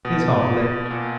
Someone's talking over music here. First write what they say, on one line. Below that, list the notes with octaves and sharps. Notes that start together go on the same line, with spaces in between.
His heart leapt.
B2
A#2